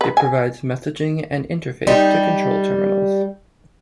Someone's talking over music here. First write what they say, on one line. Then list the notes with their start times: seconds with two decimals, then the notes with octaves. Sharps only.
It provides messaging and interface to control terminals.
0.01 B4
0.17 G#5
1.87 G3 D#4